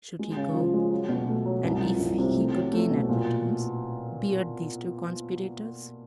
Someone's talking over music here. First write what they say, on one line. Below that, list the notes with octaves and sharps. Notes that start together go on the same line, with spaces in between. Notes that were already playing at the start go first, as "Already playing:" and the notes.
Should he go and--if he could gain admittance--beard these two conspirators?
G#3
C#3
F3
G#3
F#3
B2
A3
F#3
C2
F3
C2
C3
A3
F#3
A3
B2
A#2